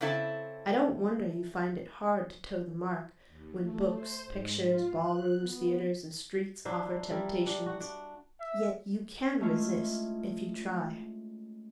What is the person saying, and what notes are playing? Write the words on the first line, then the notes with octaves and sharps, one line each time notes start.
I don't wonder you find it "hard to toe the mark", when books, pictures, ball-rooms, theatres, and streets offer temptations; yet you can resist, if you try.
C#3 C4 E4 A4 D5 A5
D#2
A3
C5
G#2
F4
F#6
B3
F#3 D4 E4 C5
G3 E4 A#4
D4
F#4 F#5
D4
E5
G#3 A3 C#4 E4 F4